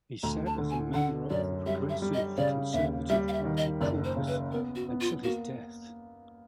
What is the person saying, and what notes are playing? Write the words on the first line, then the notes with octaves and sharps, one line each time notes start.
He sat as a member of the Progressive Conservative Party caucus until his death.
D2 A#5
A5
D3
G#5
D3 F#5
F#2 D5
G3 E5
E5
G3
D#5
C#3 D5
D#2 E5
G3 E5
F5
E5
D#3
D#5
F#1 D5
C5
C#3
B4
B3 A#4
F#4
B3
F4
A#3 F#4